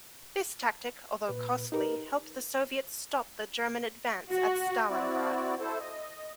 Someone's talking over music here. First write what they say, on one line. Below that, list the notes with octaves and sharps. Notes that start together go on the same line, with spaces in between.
This tactic, although costly, helped the Soviets stop the German advance at Stalingrad.
A#2 B4
D#4 G4 A#4 B4
F#4
C4 E4 F#4 D5
E4 A4 C5
D#5